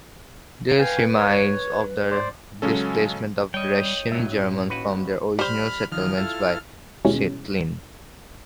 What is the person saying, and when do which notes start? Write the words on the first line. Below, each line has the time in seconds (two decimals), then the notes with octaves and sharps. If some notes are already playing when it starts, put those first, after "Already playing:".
This reminds of the displacement of Russian Germans from their original settlements by Stalin.
0.78 B4 F5 G5 G#5
1.18 C#5
2.11 C5 D5
2.62 C#3 F#3 G#3 C#4 A4
3.54 G3 C#5 D#5 G5
4.11 A2 F#3 G#3 A#3 E5
4.32 C#4
4.70 D#2 F#4 B4
5.39 G3 C5 B5 F6
5.92 D#3 F3 F6
6.17 E4 F4 A4
7.05 D#2 B2 E3 G3 G#3 C#4